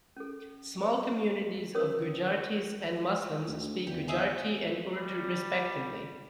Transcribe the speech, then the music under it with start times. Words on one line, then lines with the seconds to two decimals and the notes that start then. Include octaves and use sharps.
Small communities of Gujaratis and Muslims speak Gujarati and Urdu respectively.
0.17 C#4 A4
0.81 C5
1.75 C#4 A#4 B4 C#5 D#6 E6
3.47 D2
3.87 E2 G4
4.08 G#4 D#5 E5
4.89 G3